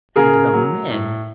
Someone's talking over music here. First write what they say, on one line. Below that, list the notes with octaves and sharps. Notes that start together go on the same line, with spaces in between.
And the men!
C#3 G#4 A#4
F#3
A2